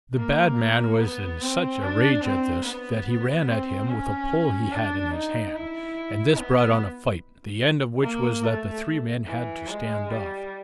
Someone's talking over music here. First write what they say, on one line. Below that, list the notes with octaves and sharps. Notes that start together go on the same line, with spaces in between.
The bad man was in such a rage at this, that he ran at him with a pole he had in his hand, and this brought on a fight, the end of which was that the three men had to stand off.
A#3
B3
C4
D4
C4
B3
C4
C#4
D4
D#4
E4
B3
A#3
A3
E3
G#3
G3